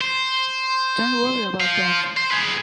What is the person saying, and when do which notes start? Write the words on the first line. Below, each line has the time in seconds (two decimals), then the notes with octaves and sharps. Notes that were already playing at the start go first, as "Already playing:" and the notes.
Don't worry about that.
0.01 C5
1.60 C5 F5
2.17 C5
2.31 G#4 B4